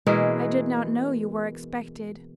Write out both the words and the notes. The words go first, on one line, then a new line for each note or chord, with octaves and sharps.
"I did not know you were expected."
B2 E3 G#3 A#3